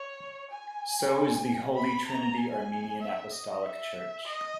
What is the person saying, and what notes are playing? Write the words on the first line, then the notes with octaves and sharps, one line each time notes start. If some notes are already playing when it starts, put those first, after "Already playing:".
So is the Holy Trinity Armenian Apostolic Church.
Already playing: C#5
G#5
B5
A#5
G#5
E5
D#5
E5
D#5